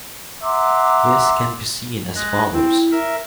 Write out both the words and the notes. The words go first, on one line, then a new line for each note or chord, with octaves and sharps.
This can be seen as follows.
E5 F#5 A#5 C6 D6
G#3 F#6 A#6
C4 E4
A#4 E5